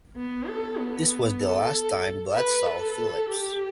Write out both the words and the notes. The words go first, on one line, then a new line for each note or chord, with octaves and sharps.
This was the last time Bride saw Phillips.
B3
A4
B3
A4
B4
A4
G4